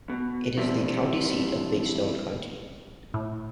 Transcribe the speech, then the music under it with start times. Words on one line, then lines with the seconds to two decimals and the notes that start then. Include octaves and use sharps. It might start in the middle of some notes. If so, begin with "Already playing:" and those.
It is the county seat of Big Stone County.
0.10 B2
0.58 E3 F3 G3 C4 D4
3.14 A2